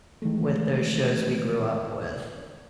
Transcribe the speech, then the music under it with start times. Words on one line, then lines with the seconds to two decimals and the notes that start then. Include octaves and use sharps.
with those shows we grew up with,
0.22 D#3 E3 G#3 A3